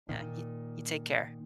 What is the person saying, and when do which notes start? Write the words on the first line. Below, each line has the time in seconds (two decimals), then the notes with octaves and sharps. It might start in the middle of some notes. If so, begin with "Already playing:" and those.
Yeah. You you take care.
0.09 A#2 D#3